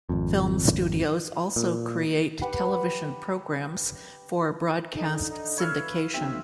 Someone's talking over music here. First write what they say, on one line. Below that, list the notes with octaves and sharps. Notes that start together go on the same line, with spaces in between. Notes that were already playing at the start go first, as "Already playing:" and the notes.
Film studios also create television programs for broadcast syndication.
G#1 F2
A#2
G4 B4 F#5
D3 D#4
D#4
B4 C#5 E5 F5
B1 C4 E5